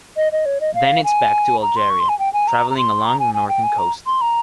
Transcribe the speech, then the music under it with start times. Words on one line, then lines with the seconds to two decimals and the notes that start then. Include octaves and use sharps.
Then it's back to Algeria, travelling along the northern coast.
0.17 D#5
0.32 D#5
0.46 C#5
0.61 D#5
0.75 F5
1.04 G#5
1.62 A#5
1.76 C6
1.90 C#6
2.00 C6
2.09 G#5
2.19 G5
2.33 G#5
2.48 A#5
2.70 A#5
2.77 C6
3.06 A#5
3.20 G#5
3.34 G#5
3.48 G5
3.63 G#5
3.78 A#5
4.07 C6
4.21 A#5